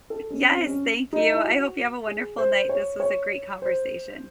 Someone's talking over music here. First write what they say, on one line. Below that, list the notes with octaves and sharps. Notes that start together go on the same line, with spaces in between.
Yes, thank you. I hope you have a wonderful night. This was a great conversation.
A4
C#4
C4
C#4
D#4
E4
F#4
G#4
C5
C#5
C#5
C5